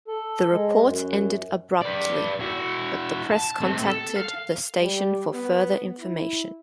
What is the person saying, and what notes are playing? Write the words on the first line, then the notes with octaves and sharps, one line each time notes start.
The report ended abruptly, but the press contacted the station for further information.
A4
G#3
F#2
B4 D5
E4 F#4
A5
A2 C4
A4
F5
G3
B3
E4